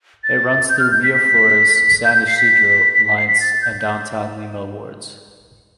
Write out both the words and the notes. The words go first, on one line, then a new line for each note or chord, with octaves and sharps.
It runs through Miraflores, San Isidro, Lince, and downtown Lima wards.
A6
G6
F6
G6
B6
B6
G6
G6
C7
B6
B6
B6
C7
B6
A6
G6